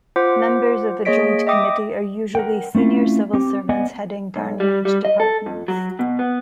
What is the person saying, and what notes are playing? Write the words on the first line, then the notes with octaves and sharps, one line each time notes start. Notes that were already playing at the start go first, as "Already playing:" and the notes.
Members of the Joint Committee are usually senior civil servants heading government departments.
F4 C5 F#5 D6
A#3 G#4 C#5 D#5 B6 D7
D#5 E5 G5 D6 D#6
A#4 F#5 G5
A3 C4 C#4 E4 F4
C4 G4
B3 D5 D#5 F#5 G#5
B1
G3
G3
D#5
A4
F2
F#3
B2
B3